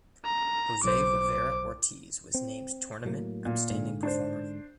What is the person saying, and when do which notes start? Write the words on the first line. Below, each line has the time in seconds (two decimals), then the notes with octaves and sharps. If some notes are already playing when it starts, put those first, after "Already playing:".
Jose Rivera Ortiz was named Tournament Outstanding Performer.
0.25 A#5
0.84 B1 C5 D6
2.34 C4
3.05 A2 F#3 A#3
3.46 A#2
3.70 G#2 D3
4.03 D4 C5